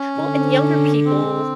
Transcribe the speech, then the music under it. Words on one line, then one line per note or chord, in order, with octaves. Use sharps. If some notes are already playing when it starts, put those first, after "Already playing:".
Well, and younger people,
Already playing: C#4
D3
C4